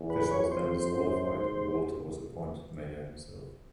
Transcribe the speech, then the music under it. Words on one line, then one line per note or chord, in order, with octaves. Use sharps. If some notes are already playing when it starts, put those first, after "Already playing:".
Fish was then disqualified and Walter was appointed mayor himself.
Already playing: E2
B4
C#5
F2 C5
F#2
G#2